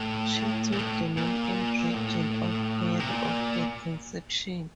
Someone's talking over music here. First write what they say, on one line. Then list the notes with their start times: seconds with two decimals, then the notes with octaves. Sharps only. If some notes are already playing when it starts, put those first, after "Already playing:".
She took the "name in religion" of Mary of the Conception.
Already playing: A2
0.72 A#2
0.78 A2
1.17 A#2
1.94 A2
3.00 C3
3.09 A#2